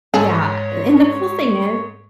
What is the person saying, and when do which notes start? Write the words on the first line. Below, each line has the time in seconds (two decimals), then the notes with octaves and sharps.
Yeah, uh a and the cool thing is
0.14 G#2 G#4 A4 C#5